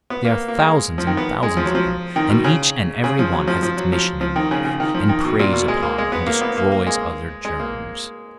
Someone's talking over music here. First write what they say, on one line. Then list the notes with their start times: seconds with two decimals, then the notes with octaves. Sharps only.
There are thousands and thousands of them, and each and every one has its mission in life, and preys upon and destroys other germs.
0.10 B3
0.25 A#3
0.48 A#3
0.59 G#3
0.98 F3
1.07 D#3
1.17 B3
1.43 G#3
1.57 F3
1.65 F#3
1.75 F3
2.16 D#3
2.30 B2
2.44 C#3
3.04 C#3
3.19 F3
3.33 F#3
3.47 F3
3.63 F3
3.77 F#3
3.93 F3
4.21 F3
4.36 D#3
4.51 C#3
4.65 C#3
4.80 D#3
4.95 F3
5.09 D#3
5.25 B2
5.39 A#2
5.53 B2
5.68 G#3
5.82 A#3
5.98 G#3
6.12 B3
6.27 A#3
6.41 B3
6.57 A#3
6.72 A#3
6.87 G#3
7.45 G#3
7.60 A#3